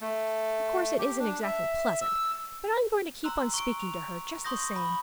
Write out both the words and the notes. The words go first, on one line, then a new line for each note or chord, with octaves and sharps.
Of course it isn't exactly pleasant, but I'm going to keep on speaking to her, just the same.
A3
G4
D4
E5
E6
A#5 C6 E6 F#6
C#6 D7
F7
C6 C#6 D#6 G6 A#6
B5